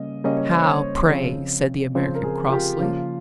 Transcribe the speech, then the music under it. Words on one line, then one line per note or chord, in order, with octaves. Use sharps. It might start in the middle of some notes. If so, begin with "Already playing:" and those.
"How, pray?" said the American, crossly.
Already playing: C#3 G3 A#3 C#4 D#5
C#3 G3 A#3 C#4 D#5
C#5
C5
C#5
C#3 F3 C4
C#3 F3 C4 C5
A#4
G#4
F4
G4
C#3 F3 A#3 F4